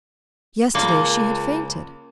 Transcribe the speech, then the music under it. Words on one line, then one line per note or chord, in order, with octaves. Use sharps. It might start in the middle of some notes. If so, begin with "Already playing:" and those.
Yesterday she had fainted.
C#2 A#3